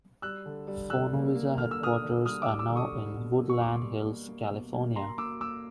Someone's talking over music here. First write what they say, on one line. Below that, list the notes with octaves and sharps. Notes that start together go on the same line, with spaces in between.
Fonovisa headquarters are now in Woodland Hills, California.
G3 E6 F#6
D3
G3
D3 E6 F#6
A#3
A#3
D3 F6
E6
D3 D#6 F6
D3
G3 D#6 F6
D6 E6
G3
D6 E6
D3
C#6 D#6
G3
B2
A#3
C#6
B2 C6 D6
G3
A#3
A#3
B2
A#3
A#3 A#5 C6
A#3 D6 E6
A#3 D6 E6